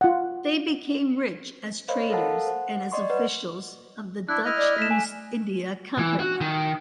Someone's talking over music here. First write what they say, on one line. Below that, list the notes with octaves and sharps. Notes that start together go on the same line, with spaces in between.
They became rich as traders and as officials of the Dutch East India Company.
F4 F#5
A#4 C5 C#5 D#5 F5 B5
A4 A#4 F5 F#5 A5
C5 F#5
D5 D#5 C6 C#6
B4 C#5 F#5
D4 E4 F#6
E4 D#5 F6
D5
A3 B6 E7
G#5
E3
F#4
D#3